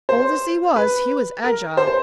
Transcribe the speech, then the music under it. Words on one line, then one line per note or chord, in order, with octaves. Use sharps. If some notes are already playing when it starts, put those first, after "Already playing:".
Old as he was, he was agile.
C5
B4
A#4
C5
C5